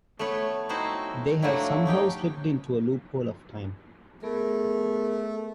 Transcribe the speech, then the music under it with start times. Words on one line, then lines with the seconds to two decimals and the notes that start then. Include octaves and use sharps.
They have somehow slipped into a loophole of time.
0.19 A3 B3 B4 C#5
0.69 C4 D#4 E4 F#4 B4 C5
1.42 F3 F#3 A3 A#3 D4 E4
1.86 C#4 D#4 G4 G5
4.23 A3 B3 G#4 A#4